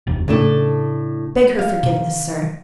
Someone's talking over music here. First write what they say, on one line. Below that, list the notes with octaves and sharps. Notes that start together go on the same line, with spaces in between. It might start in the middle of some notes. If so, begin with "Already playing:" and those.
Beg her forgiveness, sir.
F1 D#2 C3
A2 C#3 D4 A4
F5
C3 D#3